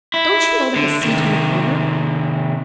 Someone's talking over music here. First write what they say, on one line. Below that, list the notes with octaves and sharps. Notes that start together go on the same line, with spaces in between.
"Don't you know that the sea turned it over?"
E4
D3
C3 D#3